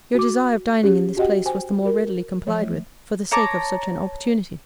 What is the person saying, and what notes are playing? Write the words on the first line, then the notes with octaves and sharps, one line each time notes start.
Your desire of dining in this place was the more readily complied with for the sake of such an opportunity.
F#4 D6
C#4 G4 G#4
F#4 G4 D#5 F#5 G5
C5 G5 G#5
F#4 A#4
F3 A3 C#5
C#5 A5 A#5 D6